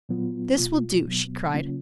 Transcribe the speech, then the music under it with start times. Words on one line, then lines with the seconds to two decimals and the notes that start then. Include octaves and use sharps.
"This will do!" she cried.
0.09 A#2 F#3 B3 F4
0.58 B2 A#3 F4
1.05 B2 F#3 B3
1.54 C#3 F#3 A#3 C#4 F4